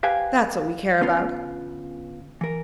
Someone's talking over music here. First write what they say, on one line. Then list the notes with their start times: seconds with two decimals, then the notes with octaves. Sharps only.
That's what we care about.
0.03 G4 B4 C5 F5 G5 G#5
1.01 D3 B3 C#4 F4 B4
2.41 E3 A#4